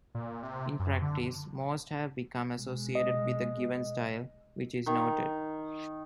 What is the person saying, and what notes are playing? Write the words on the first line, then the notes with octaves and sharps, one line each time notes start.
In practice, most have become associated with a given style, which is noted.
A#2
C3
F#2
D3
B2 G#3
D#5
D#3